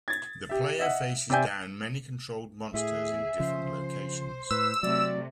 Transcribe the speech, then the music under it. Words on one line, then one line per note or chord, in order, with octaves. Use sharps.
The player faces down many controlled monsters in different locations.
G#6 A6
G4 E5
D#5 E5 F#5
C3 C5 D5 E5 G#5 G6
A2 G#4 E5
C#3 F3 C5
A2 B4 E6
C3 F#3 A3 D5